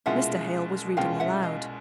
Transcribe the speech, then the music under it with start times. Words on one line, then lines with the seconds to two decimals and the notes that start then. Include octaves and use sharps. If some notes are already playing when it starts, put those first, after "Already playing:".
Mr. Hale was reading aloud.
0.06 C2 B2 G#3 C#4 F4 E5 F#5
0.97 C2 B2 G#3 C#4 F4 F5 G5
1.20 E5 F#5
1.43 D#5 F5